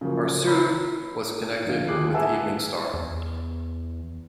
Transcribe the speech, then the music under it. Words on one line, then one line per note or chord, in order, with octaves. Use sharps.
Arsu was connected with the evening star.
C#3 F3 F#3 A#3
C#5 A#5 B5 E6
A#1 D3 F5
D#2 F4 G#4 D6 F#6 C7
B4 E5 F#5 G#5 A5 E6
E2